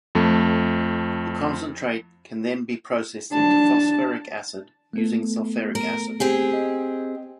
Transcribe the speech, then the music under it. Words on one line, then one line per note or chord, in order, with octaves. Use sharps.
The concentrate can be then processed into phosphoric acid using sulphuric acid.
F2 A3
D4 A5
A3 B3 A4
A#4
C4 G4 G#4
D#5